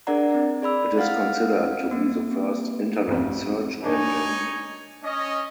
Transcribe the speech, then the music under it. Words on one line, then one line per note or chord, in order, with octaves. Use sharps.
It is considered to be the first Internet search engine.
D4 G#4 A#4 D5 F#5 A#5
C4
G#4 D5 B5 E6
E4 F5 F#5 F6
A#3 C4
A1 F2
D4 D#4 C#5 G#5
C#4 D#5